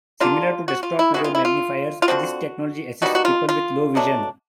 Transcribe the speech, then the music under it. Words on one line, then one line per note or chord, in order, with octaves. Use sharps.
Similar to desktop video magnifiers, this technology assists people with low vision.
D3 G3 A#3 D4 F4
F#4
F4
E4
D#3 G#3 B3 F#4
F4
E4
F4
F4
D3 F3 A3 C4 F#4
B2 G3 A#3 D#4 F#4
F#4
F4
F4
B2 F#3 A3 D4